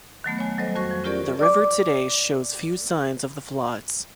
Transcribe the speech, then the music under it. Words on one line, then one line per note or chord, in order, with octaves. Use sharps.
The river today shows few signs of the floods.
D#3 F#3 A3 B3
C#5 G#5
F#3 G3 A4 C5 D#5
F2 F#4 C5 C#6 A#6
F3
C#4 F4 G4 A#4 D5 C#6
D5 D6